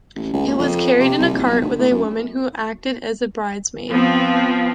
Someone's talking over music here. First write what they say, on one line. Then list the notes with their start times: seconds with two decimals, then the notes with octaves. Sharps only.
It was carried in a cart with a woman who acted as bridesmaid.
0.16 A1
0.33 C#2
0.47 A#2
0.58 F2
1.00 C3
1.19 C2
1.33 A#1
1.46 B1
1.61 D2
1.79 A2
1.91 F#2
3.89 F3 B3 C4